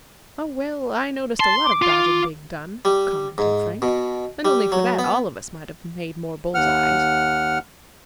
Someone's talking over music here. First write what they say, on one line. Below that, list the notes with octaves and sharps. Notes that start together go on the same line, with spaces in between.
"Oh, well, I noticed a lot of dodging being done," commented Frank; "and only for that all of us might have made more bull's-eyes."
A5 C6
D6
F4
G3
G#2
B2
G3
F#3
B3
D#2 F#5 F6